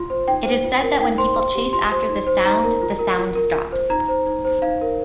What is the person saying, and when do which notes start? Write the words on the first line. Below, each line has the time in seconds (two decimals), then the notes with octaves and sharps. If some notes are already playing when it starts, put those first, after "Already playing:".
It is said that when people chase after this sound, the sound stops.
Already playing: F4 C6
0.10 C5
0.28 D#4 G5
0.45 C5
0.64 F4
0.82 A#4
1.00 D#4 G5
1.18 C5 C6
1.37 C5
1.55 G4
1.73 F4 C6
1.91 C5
2.09 D#4
2.27 C5
2.45 D#4 A#5
2.64 A#4
2.82 F4
2.99 A#4
3.18 F4
3.35 A#4
3.54 F4
3.72 C5
3.90 D#4 A#5
4.08 C5
4.26 D#4
4.45 C5
4.62 D#4 F5
4.81 A#4